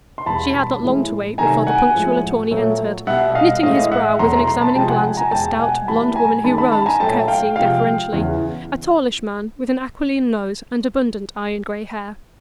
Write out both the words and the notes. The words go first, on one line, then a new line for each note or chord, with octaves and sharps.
She had not long to wait before the punctual attorney entered, knitting his brow with an examining glance at the stout blond woman who rose, curtsying deferentially,--a tallish man, with an aquiline nose and abundant iron-gray hair.
C6
E2 B2 G3 A5 B5
A2 E3 G#3
C3 D#3 F#3 A3 G#5 A#5
F#5 G#5
A2 F3 G#3
A#2 F#3 A3
B2 G3 E5 F#5
D#5 F5
A2 E3 G#3 D#5 F5
D#5 F5
E5 F#5
E2 B2 F#3 A3 A#5 C6
A#5 C6
A#5 C6
A5 B5
C3 F3 G#3 G5 A5
F#5 G#5
G#5 A#5
E2 B2 G#3 G5 A5
F#5 G#5
A2 E3 G3 A5 B5
G#5 A#5
F#2 D#3 G#3 A5 B5
A5 B5
A5 B5
G#5 A#5
A#2 F#3 A3 G5 A5
F5 G5
C3 F3 G#3 F5 G5
E2 C#3 E3